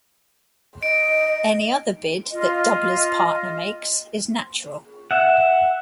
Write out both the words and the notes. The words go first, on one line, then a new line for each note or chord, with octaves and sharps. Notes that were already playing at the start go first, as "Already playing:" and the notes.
Any other bid that doubler's partner makes is natural.
D#5 D7
F4 D#5
E5 F#5